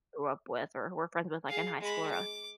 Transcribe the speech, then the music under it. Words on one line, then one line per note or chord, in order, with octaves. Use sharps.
grew up with or were friends with, like, in high school or, uh
G#4 F5
G#3 B5
D6